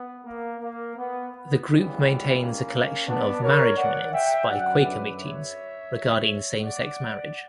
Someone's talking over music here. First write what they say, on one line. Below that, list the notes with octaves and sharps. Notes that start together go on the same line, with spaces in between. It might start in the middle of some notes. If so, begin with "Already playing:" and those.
The group maintains a collection of Marriage Minutes by Quaker Meetings regarding Same-Sex Marriage.
Already playing: B3
A#3
A#3
B3
B3
C#2 C#3 E3 G3
A#3 C#4
B3 D4
A#4 C#5
D5 F#5
E5 G5
F#2 D3 F#3 D5 F#5
B4 D5
C#5 E5
D5 F#5